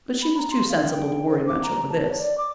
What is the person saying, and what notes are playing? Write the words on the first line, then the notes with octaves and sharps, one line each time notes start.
But she was too sensible to worry much over this.
B5
A#5
C6
F5
G5
C5
D6
A#5
A5
C#5
D5
D6